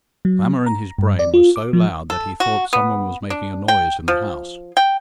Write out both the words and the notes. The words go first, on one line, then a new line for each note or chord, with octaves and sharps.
The clamour in his brain was so loud that he thought some one was making a noise in the house.
F#3
A#5
G2
D5
F4
D6
F3
A4
F#4
B3
D4
G5
F3
G5